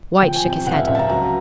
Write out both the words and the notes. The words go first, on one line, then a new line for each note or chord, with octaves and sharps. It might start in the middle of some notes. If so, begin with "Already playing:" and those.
White shook his head.
F3 G5
G#5
C3 G5
C#2 F#5
E5
F5
C#2 E5
A5
A#5
F#3 A#5